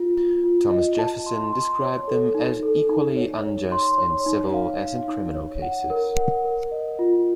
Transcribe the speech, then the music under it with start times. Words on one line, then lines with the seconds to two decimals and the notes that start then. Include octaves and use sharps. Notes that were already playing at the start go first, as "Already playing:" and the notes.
Thomas Jefferson described them as "equally unjust in civil as in criminal cases".
Already playing: F4
0.17 F4
0.44 F4
0.72 D#5
0.99 A5
1.26 C6
1.53 C6
1.81 C#5
2.08 A4
2.35 D#4
2.63 A4
2.89 D#4
3.17 C#5
3.44 C#5
3.72 C6
3.98 C#5
4.26 D#4
4.54 F5
4.80 F5
5.08 D#4
5.35 C#5
5.62 F#5
5.90 A#4
6.17 F#5
6.44 A#4
6.71 D#5
6.99 F4